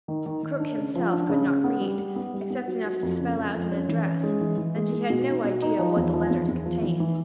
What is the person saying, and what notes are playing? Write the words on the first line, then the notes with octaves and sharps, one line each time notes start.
Krook himself could not read, except enough to spell out an address, and he had no idea what the letters contained.
D#3
D#3
D#3
D4
C#3
F3
D4
C#3
C#3
B3
G3
G3
B3
G3
B3
F#3
F#3
F2
C#3
F2
F2
C#4
E3
C#4
G#3
E3
E3
G#3
G#3
B2
D#4
B2
D#4
F3
E2
F3
E2
E2
F3
E3
E3